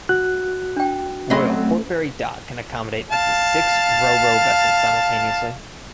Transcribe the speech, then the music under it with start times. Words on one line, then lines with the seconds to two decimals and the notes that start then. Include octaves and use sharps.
Royal Portbury Dock can accommodate up to six RoRo vessels simultaneously.
0.09 F#4 F#6
0.76 D4 G5
1.30 F#3 A3 C4 C#4 D#5 B5 C6
3.11 F5 A5